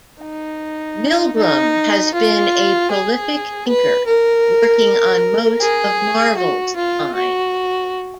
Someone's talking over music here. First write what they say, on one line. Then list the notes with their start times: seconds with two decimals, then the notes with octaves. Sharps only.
Milgrom has been a prolific inker, working on most of Marvel's line.
0.22 D#4
1.37 D#4
2.14 F4
2.91 G#4
3.67 B4
4.07 A#4
5.61 G#4
6.37 F#4
6.76 F4
7.15 F#4